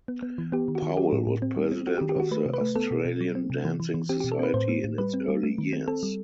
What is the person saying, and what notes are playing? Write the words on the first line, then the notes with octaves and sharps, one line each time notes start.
Powell was president of the Australian Dancing Society in its early years.
B3
B3
E3
B3 G4
D#3
F#4
D#3
F#3 G4
A2
A2
C4
G3
C4
C4 F#4
G4
D#3
G4
D#3 F#4
A3 B4
C3
B4
A3
B3 A4
B2
B2
F#3
C4
C3
E3
E3
E3
C4 G4
G4
B2
A4
C4 B4
A2 C5
A3
A2
G3 B4
C4
G3
A3
D#3
C4
C4 A4
G3